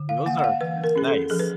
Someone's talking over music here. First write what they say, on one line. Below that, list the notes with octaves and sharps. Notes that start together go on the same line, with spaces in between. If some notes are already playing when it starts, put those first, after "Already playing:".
Those are pris nice.
Already playing: D3
F5
A#3 F#5
F#5
F5
E3 B4
A#4
C#4 G#4
A4
F3 G#4
B4